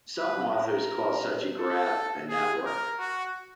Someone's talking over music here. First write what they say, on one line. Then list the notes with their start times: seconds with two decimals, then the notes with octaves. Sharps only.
Some authors call such a graph a "network".
0.19 B4
0.54 A#4
1.59 A4
2.29 G#4
2.66 A#4
3.00 F#4